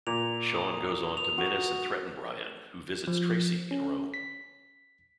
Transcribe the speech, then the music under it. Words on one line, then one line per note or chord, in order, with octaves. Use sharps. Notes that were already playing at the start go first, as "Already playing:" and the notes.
Sean goes on to menace and threaten Brian, who visits Tracy in Rome.
A#2 F7
D#6
F7
F#4
F3
C#4
B6